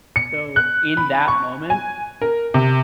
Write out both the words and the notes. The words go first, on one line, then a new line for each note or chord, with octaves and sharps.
So, in that moment,
C#7
F#6
B5
C#6
G#5
A#4
C3